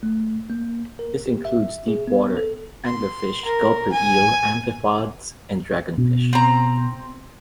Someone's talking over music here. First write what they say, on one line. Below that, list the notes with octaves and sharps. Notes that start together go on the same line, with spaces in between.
This includes deep-water anglerfish, gulper eel, amphipods and dragonfish.
A3
A#3
A#4
G4
E5
G#4
B3
A4
C6
A#4
G#5
B2
C4 A#5